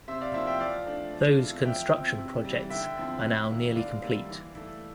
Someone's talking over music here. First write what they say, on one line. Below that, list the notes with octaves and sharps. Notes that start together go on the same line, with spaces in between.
Those construction projects are now nearly complete.
C3 C5 E5
D5 F5
F3 A#3 E4 C5 E5
E5 G5
F3 D5 F5
A3 D4
F3
A3 C4 E4
F3 E5 G5
C4 E4
C3
E3 G3
D3 E5 G5
F3 C4 E4
A2
E3 A#3 E4
D3 D5 F5
G3 A#3 E4
E3
A3 E4